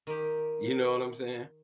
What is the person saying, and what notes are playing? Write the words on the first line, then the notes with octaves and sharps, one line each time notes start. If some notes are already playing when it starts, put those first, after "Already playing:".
you know what I'm saying?
D#3 G4